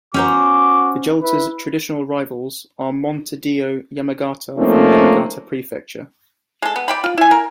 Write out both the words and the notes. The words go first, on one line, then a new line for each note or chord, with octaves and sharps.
Vegalta's traditional rivals are Montedio Yamagata from Yamagata Prefecture.
C#4 F#4 C5 A#5 D6
E4 B4
F3 A3 A#3 C4 C#4 D#4
G#3 A4
B3
D5 G5 B5
F4
E4 G#5
A#4